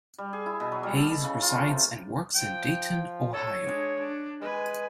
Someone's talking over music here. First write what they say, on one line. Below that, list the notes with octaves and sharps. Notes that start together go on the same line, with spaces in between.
Hayes resides and works in Dayton, Ohio.
G3
G#4
E4
B2
F#3
G3
A4
B5
C#3
F4
A3
C3
F3 G5
A4 C#5
G#3 D4
D4
G#3 B4 G#5